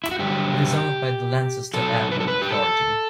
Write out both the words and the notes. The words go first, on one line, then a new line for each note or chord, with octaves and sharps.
It is owned by the Lancaster Airport Authority.
E4
F#4
G2 D3 F#3 G4
B2 F#3 A4
B4
A4
B4
G4
A4